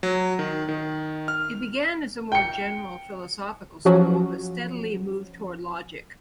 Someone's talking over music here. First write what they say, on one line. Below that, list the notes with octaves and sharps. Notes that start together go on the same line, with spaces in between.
It began as a more general philosophical school but steadily moved toward logic.
F#3
D#3
D#3
F6
G5 C#7
F3 F#3 C#4 F#4